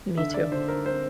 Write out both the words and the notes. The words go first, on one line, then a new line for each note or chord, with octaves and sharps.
Me too.
D3 E5
D5
D3 C5
A#4
C4 C5